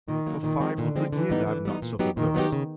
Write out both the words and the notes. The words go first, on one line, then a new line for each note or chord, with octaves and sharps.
For five hundred years I have not suffered thus.
A#2 D#3
F#3 A#3
A#2 D#3
F3 G#3 C4
A#2 D3
F3 G#3 C4
D3 E3
G3 B3 D#4
D3
G3 B3 D#4
A#2
F#3 B3 D#4 G4
A#2 D#3
F#3 B3 D#4 G4
C#3